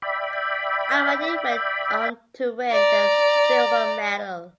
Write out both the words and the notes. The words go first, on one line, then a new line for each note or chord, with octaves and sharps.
Ahmadi went on to win the silver medal.
D5 E5 G5 B5
D5 A#5